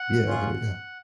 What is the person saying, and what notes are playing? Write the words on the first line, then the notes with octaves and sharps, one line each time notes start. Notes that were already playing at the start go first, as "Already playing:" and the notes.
Yeah, yeah.
Already playing: F#5
C#4 F4 G#4